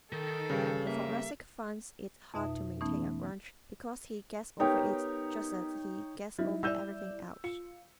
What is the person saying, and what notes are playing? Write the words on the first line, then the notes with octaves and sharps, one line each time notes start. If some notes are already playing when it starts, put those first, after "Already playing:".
The Thoracic finds it hard to maintain a grudge because he gets over it just as he gets over everything else.
D#3 A4
G2 C#3
A#3 E5
F2 B2 D#4 E5
E3 A3 B3 C#4 D#4
B3 D#4 G4 A#4 C#5 G5 A#5
F#3 D#4 E4
G3 E4 D5 E6 G6
F4 C#7